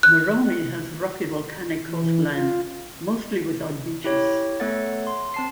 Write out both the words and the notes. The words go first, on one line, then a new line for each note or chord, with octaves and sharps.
Moroni has a rocky volcanic coastline, mostly without beaches.
F#6
E3
F4
E4 G4 C#5
A3 B3 A4 C#5 F#5 A6
C6
C4 A5 C7